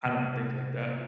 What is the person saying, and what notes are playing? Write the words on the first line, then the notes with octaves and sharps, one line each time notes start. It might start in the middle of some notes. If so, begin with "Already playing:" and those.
I don't know, things like that.
C3